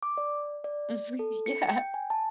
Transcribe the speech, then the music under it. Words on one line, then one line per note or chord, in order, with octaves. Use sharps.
Mhm. Yeah.
D6
D5
D5
A4
C#7
G5
G#5
A5